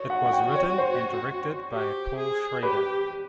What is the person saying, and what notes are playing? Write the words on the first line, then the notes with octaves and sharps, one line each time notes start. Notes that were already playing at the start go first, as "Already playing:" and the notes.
It was written and directed by Paul Schrader.
Already playing: F#4 C#5
F#5
F#5
G5
C#5
C5
G4
G#4
G4 B4